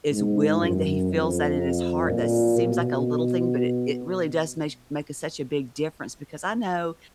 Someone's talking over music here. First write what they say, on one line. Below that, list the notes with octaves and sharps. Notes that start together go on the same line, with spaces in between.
is willing, that he feels that in his heart, that seems like a little thing, but it it really does meish make a such a big difference because I know
G#2
F#2
F2
A#2
B2